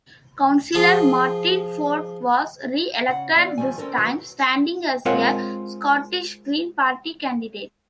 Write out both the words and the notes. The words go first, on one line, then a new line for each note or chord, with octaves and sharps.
Councillor Martin Ford was re-elected, this time standing as a Scottish Green Party candidate.
F3 F4 G#4
C#3 F#5
E3 B3 D5
D#3 F3 G3 A3 G#5
C4 C#4 D#4 A4 A#4
D#3 E3 F#3
G#3 C4 F4 A#4 C#5 F#5